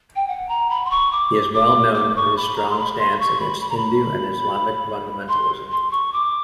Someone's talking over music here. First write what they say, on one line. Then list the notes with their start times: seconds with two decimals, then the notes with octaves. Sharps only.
He is well known for his strong stance against Hindu and Islamic fundamentalism.
0.16 G5
0.28 F#5
0.49 A#5
0.70 B5
0.85 C6
0.90 C#6
1.12 D6
1.53 D6
1.94 D6
2.15 C#6
2.36 B5
2.57 A#5
2.69 C6
2.79 B5
2.99 C6
3.19 C#6
3.40 B5
3.61 B5
3.70 A#5
3.77 B5
5.28 C6
5.71 C6
5.91 C#6
6.13 D6